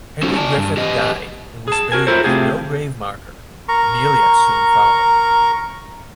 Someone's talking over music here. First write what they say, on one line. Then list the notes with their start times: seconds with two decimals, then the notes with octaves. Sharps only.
Henry Griffith died and was buried with no grave marker; Amelia soon followed.
0.22 C#4 D#4 F#4 A4 C5
0.36 D5 G#5 A5
0.58 G2
0.77 G4 B4 D#5
1.68 G#4 A5
1.92 F#4 A#4 G#5
2.07 E4 F4 A4 A#4 C5 C#5
2.24 C3 G3 A3 F4 G4 G#4
3.68 A#4 A#5 C#6